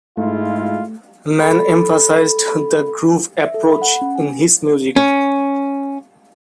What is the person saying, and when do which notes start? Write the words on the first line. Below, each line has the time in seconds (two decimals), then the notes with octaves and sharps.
Mann emphasized the groove approach in his music.
0.17 G#2 G#3 A3 E4 F4
1.40 A4 B5
3.40 E5
3.54 A4
3.70 B5
3.82 F#5
4.01 C#4
4.16 G#5
4.96 C#4